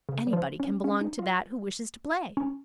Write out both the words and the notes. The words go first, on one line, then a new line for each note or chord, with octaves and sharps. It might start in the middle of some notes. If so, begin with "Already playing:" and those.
Anybody can belong to that who wishes to play.
C#3
G3
F3
C#4
C#4
D#4
F4
C#4